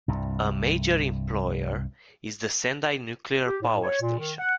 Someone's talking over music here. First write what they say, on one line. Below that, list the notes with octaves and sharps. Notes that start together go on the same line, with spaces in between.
A major employer is the Sendai nuclear power station.
C2 G2
G4
A2
C#5
A#2
D#3
F#5